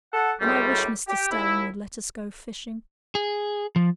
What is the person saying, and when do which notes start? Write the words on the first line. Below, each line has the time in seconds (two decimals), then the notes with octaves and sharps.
And I wish Mr. Stelling would let us go fishing.
0.13 A4 F#5
0.40 C#2 F#2 A2 G3
1.08 G4
1.32 D#2 E4
3.15 G#4
3.76 F3